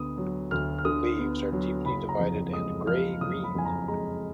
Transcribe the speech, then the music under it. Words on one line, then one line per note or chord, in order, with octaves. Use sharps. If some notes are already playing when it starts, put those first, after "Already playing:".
Leaves are deeply divided and grey-green.
Already playing: D2 D3 B3 D#6
F#3
D2 F6
F6
D3 D#6
B3
F#3
F#1 B5
A#5
F2
G#3 D#6
F3 F6
F#1 D#6
B5
F2 G#5
A#5
G#3 A#5